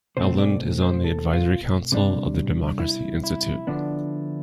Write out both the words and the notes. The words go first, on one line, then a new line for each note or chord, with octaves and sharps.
Eland is on the Advisory Council of the Democracy Institute.
B2 A3 C4 C5
D5
C5
A4
F4
C3 G3 D4
E4
E4
D3 F3 B3 D4